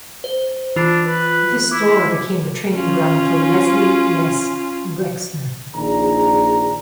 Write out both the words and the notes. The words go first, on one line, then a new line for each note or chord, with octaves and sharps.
This store became the training ground for Leslie "Les" Wexner.
C5
E3 D4 F4
B4
E4 D6
C#4 F4
A#1 D#3 G#4 D5 A#5